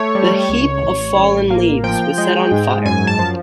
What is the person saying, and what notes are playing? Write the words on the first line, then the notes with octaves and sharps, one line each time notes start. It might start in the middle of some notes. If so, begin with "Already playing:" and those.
The heap of fallen leaves was set on fire.
Already playing: A3 C#5
G3
C#2
A1
A1
A#3
F3 G5
G#3
G#2
F#2 G#5
A5
F3